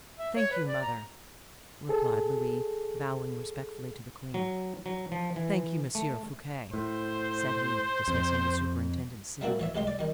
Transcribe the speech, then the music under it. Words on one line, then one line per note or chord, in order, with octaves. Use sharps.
"Thank you, mother," replied Louis, bowing respectfully to the queen. "Thank you Monsieur, Fouquet," said he, dismissing the superintendent civilly.
E5
C#5
B4
D5
A#5
G#4 A4
F#3
F#3
F3
E3
A3
A2 C5
F2
G3 A3 A#3 C4 E4 F#4
E3 C#5 E5
C2 A2 G#3 G4 C6
D5
D#3 G3